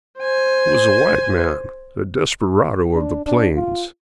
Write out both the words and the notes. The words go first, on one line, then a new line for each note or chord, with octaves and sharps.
It was a white man--a desperado of the plains.
C5 G#5
D4
D4
F4